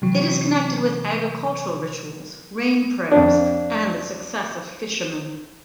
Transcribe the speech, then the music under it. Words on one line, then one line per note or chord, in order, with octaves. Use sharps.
It is connected with agricultural rituals, rain prayers, and the success of fisherman.
C3 E3 F#3
F2 D4